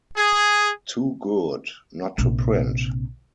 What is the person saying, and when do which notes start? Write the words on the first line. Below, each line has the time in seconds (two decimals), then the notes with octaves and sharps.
Too good not to print!
0.16 G#4
2.18 A#1 C3